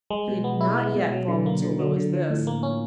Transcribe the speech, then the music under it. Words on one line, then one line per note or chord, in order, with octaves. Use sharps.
He had not yet fallen so low as this.
G#3
B2
B3
E4
G#3
B2
F#3
D3
A#3
D3
F#3
D3
F3
A2
A#3
C#4